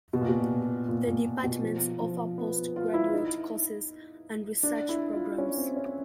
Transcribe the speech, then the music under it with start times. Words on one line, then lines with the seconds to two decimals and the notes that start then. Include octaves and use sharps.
The departments offer post-graduate courses and research programmes.
0.13 B2
0.21 A#2
0.29 B2
0.88 A#2
1.07 A#2
1.44 B2
1.63 F3
2.01 F3
2.38 B3
2.76 F4
2.94 E4
3.13 D#4
4.63 D4
4.89 E4
5.13 F4
5.38 C#4
5.58 C4
5.76 C#4